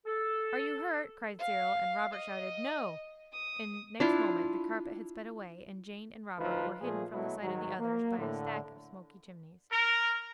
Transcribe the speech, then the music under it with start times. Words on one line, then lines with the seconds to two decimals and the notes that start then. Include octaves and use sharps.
'Are you hurt?' cried Cyril, and Robert shouted 'No,' and next moment the carpet had sped away, and Jane and Robert were hidden from the sight of the others by a stack of smoky chimneys.
0.06 A4
1.39 F5
2.13 D#5
3.33 D#6
4.00 D4 E4 F4
6.39 D2 F3 D#4 B4
6.81 A#2 F3 A3 G#4
7.13 B2 F#3 A3 E4
7.43 G#2 D#3 F#3
7.78 A#3
8.18 A2 D3
9.71 A#4